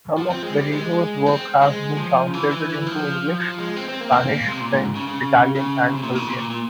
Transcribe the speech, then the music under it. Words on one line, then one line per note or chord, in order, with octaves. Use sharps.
Some of Barreiros's work has been translated into English, Spanish, French, Italian and Serbian.
F3
C4
G#3
G3
G#3
C4
G#3
F3
C#3
E3
E3
E3
F3
F3
G#3
C4
C4
A#3
C4
A#3
G#3
C3
A#2
G#2
C#3
C#3
C#3
C3
A#2
C#3
A#2
A#2
A#2